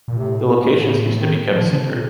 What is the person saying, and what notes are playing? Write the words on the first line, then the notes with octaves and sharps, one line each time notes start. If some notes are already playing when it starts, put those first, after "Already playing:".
The locations used to be kept secret.
A#2
A2 C3
C#3
D#3
F#3
A#2 F3
D#3
C#3
C3
A#2